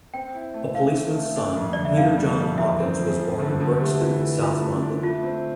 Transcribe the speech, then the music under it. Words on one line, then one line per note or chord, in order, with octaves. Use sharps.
A policeman's son, Peter John Hawkins was born in Brixton, south London.
C4 G5
E4
A3
A3 F5
A3
A3
D4
F2
D3 D5
E5
G3 F5
G3
F2
E2 E5
C4
F3
F3
D3
D3
A3 G4
E3 F4
E3
A3 F4
A3
D4
A3 F4
C4